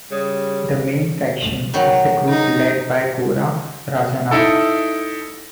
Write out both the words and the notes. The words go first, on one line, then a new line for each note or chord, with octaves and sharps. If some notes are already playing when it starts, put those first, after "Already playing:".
The main faction is the group led by Koora Rajanna.
C#3 G3
D#3 F#3
D#4
D#4 E4 A4